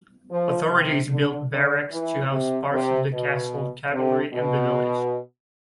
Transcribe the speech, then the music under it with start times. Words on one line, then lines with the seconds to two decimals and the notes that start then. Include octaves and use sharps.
Authorities built barracks to house parts of the castle cavalry in the village.
0.31 F3
0.70 C3
1.11 D3
1.52 D3
1.91 E3
2.31 C3
2.72 C3
3.13 B2
3.93 C3
4.33 B2